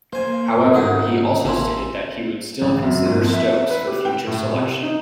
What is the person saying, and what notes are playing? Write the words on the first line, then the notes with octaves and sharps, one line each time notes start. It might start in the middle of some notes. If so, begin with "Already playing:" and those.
However, he also stated that he would still consider Stokes for future selection.
A#3 C5 G#5
G#2
D#3 D#4 E4 A4 F#5
A1 A#3 E4 G#5 A5 C6
A1
F#2
G#2
F2
E5
B4
G4
G5
A2
C3
D#4